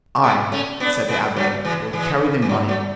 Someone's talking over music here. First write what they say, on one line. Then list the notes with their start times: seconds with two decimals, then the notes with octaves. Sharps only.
"I," said the abbe, "will carry the money."
0.24 G#3 B3
0.52 A3 C#4
0.80 B3 D4
1.08 G#3 B3
1.36 F#3 A3
1.65 E3 G#3
1.93 E3 G#3
2.42 E3
2.49 F#3
2.68 F#3 A3